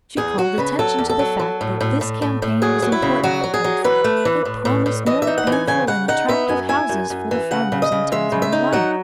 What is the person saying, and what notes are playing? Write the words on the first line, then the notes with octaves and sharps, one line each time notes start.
She called attention to the fact that this campaign was important because it promised more beautiful and attractive houses for the farmers and townsmen alike.
E2 G#4
F#3 F#4
C#3 B4
F#3 A4
E2
A4
F#3
F#3
A2
A2
A2
A2
A2
F#3 G#4
F#3
E4
C#3
F#3 F#4
F#3
G#4
F#3
E3 B4
A3
E3
A2
A2
A2
E3 D#5
E5
D#4
F#5
E3
G#5
C#3 G#5
C#3 F#5
D#4 F#5
B3 E5
F#2 G#5
E4 G#5
F#2
F#2
E3
C#3 F#5
C#3
D#5
C#3
G#3 E5
C#3
E5
D#4
F#3 F#5